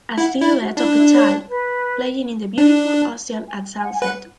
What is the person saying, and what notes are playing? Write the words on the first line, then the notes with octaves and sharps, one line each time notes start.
A silhouette of a child playing in the beautiful ocean at sunset.
E4 F#5
E4 D5
F#4
D4 E4
E4
C#5
B4
D4
B4
G#5
G#5
F#5
G#5
B4 F#5